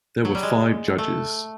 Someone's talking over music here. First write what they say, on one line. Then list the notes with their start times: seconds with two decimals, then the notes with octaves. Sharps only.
There were five judges.
0.25 F#3
0.35 G3
0.43 G#3
0.98 A3